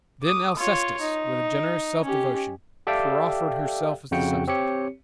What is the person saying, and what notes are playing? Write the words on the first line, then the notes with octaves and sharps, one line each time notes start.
Then Alcestis, with a generous self- devotion, proffered herself as the substitute.
D6 D#6
F4 C#5
D#4
C#4 G4
G4 A4 D5 E5 F5 G5
F2 C#3 F#4 G5 C#7
C4 G4 C#5 C#7